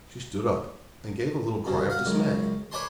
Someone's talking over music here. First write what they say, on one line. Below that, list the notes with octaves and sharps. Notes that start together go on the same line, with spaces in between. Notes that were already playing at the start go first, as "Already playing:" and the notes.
She stood up and gave a little cry of dismay.
C2 F#2 C#3
F5 F#5
C#2 F#2
B4 C#5 D5 G#5 A5 C6